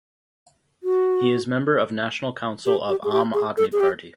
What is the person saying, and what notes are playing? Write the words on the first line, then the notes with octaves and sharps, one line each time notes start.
He is member of National Council of Aam Aadmi Party.
F#4
G4
G4
G#4
G4
G#4
A4
G#4
G4